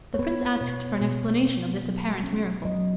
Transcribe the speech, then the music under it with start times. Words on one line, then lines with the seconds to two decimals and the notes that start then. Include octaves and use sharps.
The Prince asked for an explanation of this apparent miracle.
0.14 C#5
0.19 B3 B4
0.60 B2 C#5
1.01 B2
1.43 B3
1.83 F#3
2.24 C#4
2.65 F#3 D#5